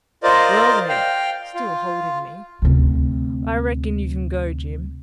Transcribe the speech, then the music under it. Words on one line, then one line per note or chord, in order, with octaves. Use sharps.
Well, then"--still holding me--"I reckon you can go, Jim.
F4 A#4 C5 D5 D#5
F5 G5
F4
D2 C3